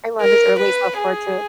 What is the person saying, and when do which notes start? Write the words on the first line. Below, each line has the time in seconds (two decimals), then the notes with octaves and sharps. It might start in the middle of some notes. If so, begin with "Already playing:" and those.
I love his early self-portraits.
0.21 A#4
0.59 B4
0.97 G#4